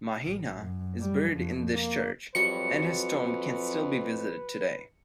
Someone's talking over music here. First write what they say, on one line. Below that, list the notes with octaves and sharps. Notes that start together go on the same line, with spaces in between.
Mihnea is buried in this church and his tomb can still be visited today.
A1
F#2
G3
F2
A#3
F2 F#3 G3 F#4 B4 C#7